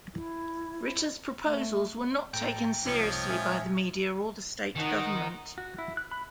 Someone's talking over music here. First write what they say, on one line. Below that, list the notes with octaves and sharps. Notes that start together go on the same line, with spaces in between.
Ritter’s proposals were not taken seriously by the media or the state government.
E4
A3
A2 A4 G5 A#5
C2 C3 F3 A#3 C4 D#4 C#5
A#2 G#3 E5 G#5 F6
D#3 D#4 F#5
F#4
E4
F#6
B5